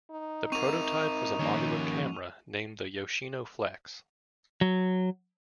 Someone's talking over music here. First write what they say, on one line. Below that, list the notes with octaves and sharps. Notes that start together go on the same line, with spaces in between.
The prototype was a modular camera named the "Yoshino Flex".
D#4
C4 A#4 C#6 D#7 F7
D#3 F3 A#3 C#4 C#5
F#3